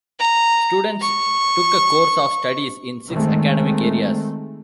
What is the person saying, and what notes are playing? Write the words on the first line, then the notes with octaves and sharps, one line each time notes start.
Students took a course of studies in six academic areas.
A#5
C#6
D#3 G#3 A3 C4